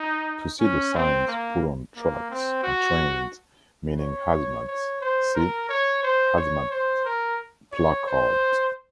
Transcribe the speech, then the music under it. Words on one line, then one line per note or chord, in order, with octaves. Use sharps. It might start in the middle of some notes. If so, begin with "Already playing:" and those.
To see the signs put on trucks and trains meaning hazmats see: Hazmat Placards.
Already playing: D#4
C#4
C4
A#3
A#3
C4
F#4
C#5
C#5
C5
A#4
C#5
C5
C#5
C5
A#4
C#5
C5